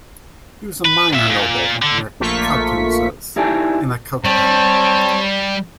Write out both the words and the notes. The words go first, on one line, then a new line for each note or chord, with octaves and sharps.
He was a minor noble near Coutances in the Cotentin.
B4
A#2 E5
A#2
D3
A#1 A3 A#3 F4 C#6 B6
D#4 E4 G4 D5 G#5 A5
G3 C4 C#5 A5